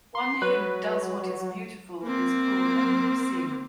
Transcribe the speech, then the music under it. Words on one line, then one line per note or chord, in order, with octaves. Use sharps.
One who "does what is beautiful" is called a "muhsin".
C6
F#3 B4
A#3 C4